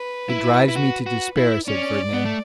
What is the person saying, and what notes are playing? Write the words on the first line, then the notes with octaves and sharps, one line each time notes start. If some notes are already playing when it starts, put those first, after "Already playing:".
"It drives me to despair," said Fernand.
Already playing: B4
E4
E4
F#4
F#4
E4
C#4 D5
B3
A3